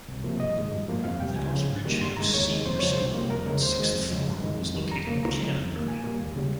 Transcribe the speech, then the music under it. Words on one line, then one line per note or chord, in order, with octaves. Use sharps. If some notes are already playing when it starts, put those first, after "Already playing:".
The North Bridge House Senior School and Sixth Form is located in Canonbury.
C2
C3 F3 A#3
G2 D#5
D#3 G#3
G2
F3 A#3
F2 F5
C3 G3 G5
C#2 G#5
C#3 F3
G#2
D#3 G3 A#3
G2 C6
D#3 G#3 A#5
D#2 C#5
D#3 G#3
F2 C5
C#3 F3 G#3 C#5
C5
C2
C3 G3 A#3
F2 A#4
C#3 G#3 A#4
D#2 C5
D#3 G#3
F2
C#3 F3 G#3
G2
D#3 G#3
F2
D#3 G3
F2 A#5
C#3 F3 A#3
C#2 A#5
C#3 F3 G#3
F2
D#3 A#3
A#2 G#5
G3 A#3
D#2
C#3 G3